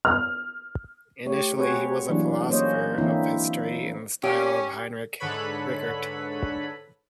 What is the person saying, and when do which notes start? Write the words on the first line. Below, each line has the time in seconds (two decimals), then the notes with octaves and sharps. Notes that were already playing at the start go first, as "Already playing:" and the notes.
Initially he was a philosopher of history in the style of Heinrich Rickert.
0.05 F6
1.26 A3 G4 C#5
1.57 C4 F#4 G#4 B4 C#5
2.09 E3 F#3 A#3 D4
2.49 A#3 C#4 C5 C#5 D#5
2.98 D3 E3 A#3 C4 D#4 E4
4.23 C#4 G4
5.20 G#2 D3 A4 B4 C#5 B5